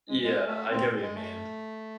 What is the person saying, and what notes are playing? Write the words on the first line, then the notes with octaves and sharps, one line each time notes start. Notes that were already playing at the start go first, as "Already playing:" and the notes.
Yeah, I get what you mean.
G#3
G#3
A3
C4
G#3
A3